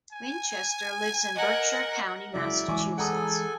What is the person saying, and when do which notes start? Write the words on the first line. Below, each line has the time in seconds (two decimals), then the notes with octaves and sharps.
Winchester lives in Berkshire County, Massachusetts.
0.13 G#5
1.35 A#4 D#5 F#5
2.33 C#2 F#3 E4 D5 E5
2.68 E3 G#3 G#5 C#6 D6
2.98 G#4 A4 F#5 G#5 A#5 D#6